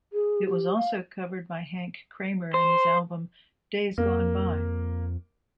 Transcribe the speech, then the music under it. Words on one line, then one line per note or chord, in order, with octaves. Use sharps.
It was also covered by Hank Cramer in his album, "Days Gone By".
G#4
G4
F5
C5
F2 A#3